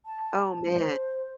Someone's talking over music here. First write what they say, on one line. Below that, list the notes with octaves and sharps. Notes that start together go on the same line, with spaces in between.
oh man.
A5
C5